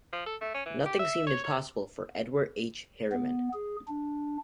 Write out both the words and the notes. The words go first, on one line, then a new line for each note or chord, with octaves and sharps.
Nothing seemed impossible for Edward H. Harriman.
F3
A4
A3
C#4
E3
G4
E5
C#5
C#5
B3
G#4
D4